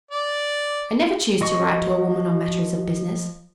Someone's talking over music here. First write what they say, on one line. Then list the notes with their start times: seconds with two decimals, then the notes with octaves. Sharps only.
I never choose to write to a woman on matters of business.
0.11 D5
1.41 F3 F#4 D#5 C#6